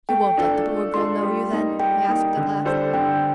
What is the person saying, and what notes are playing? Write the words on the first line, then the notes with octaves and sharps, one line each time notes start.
"You won't let the poor girl know you then?" he asked at last.
A3 G5
D4 F4 A4
A3
D4 F4 A4 C6
G3
A#3 D#4
G3 G5
A#3 D#4
D3
G3 D4 A4 C5
D3 G5